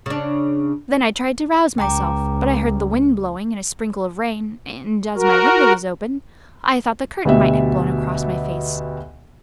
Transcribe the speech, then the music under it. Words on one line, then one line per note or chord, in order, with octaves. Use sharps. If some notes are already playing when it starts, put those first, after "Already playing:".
Then I tried to arouse myself, but I heard the wind blowing and a sprinkle of rain, and, as my window was open, I thought the curtain might have blown across my face.
C#3 D4
C#2 G5 A#5 D6
F#4 A#4
D2 B2 G4 E5